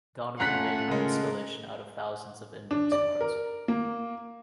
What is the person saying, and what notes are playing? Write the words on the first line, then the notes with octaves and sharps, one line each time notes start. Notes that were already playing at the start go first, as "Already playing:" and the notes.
Donovan made her installation out of thousands of index cards.
A3 C#4 F4 F#5 A#5 F#6 B6
C#3 G#3 A4 A#4
D4
D5
A#4
A#3